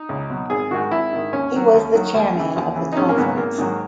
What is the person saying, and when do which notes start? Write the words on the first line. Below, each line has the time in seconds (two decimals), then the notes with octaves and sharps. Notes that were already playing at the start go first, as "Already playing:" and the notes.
He was the chairman of the conference.
Already playing: D#4
0.09 C#2
0.30 B2 F#3
0.50 G#1 G#4
0.71 G#2 D#3 F#4
0.91 G#1 E4
1.13 G#2 D#3
1.33 D#2 C#4
1.53 D#3 F#3
1.74 D#2
1.95 D#3 F#3
2.14 D#2
2.35 C#3 E3
2.56 D#2
2.76 C#3 E3
2.93 D#4
2.97 G#1 C#4
3.09 A#3
3.17 G#2 D#3 F#3 B3
3.37 G#1 A#3
3.58 G#2 D#3 F#3